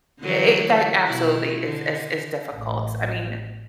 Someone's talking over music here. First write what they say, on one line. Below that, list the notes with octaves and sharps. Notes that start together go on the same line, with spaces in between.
it it that absolutely is is is difficult, I mean,
D3 E3 F#3
B2 E4
D3
A1 A2